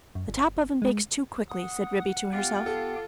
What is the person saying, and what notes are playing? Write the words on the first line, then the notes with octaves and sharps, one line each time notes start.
"The top oven bakes too quickly," said Ribby to herself.
F#2
G1
G#3
F#5 D#6
B3 F4 G4 G5
A4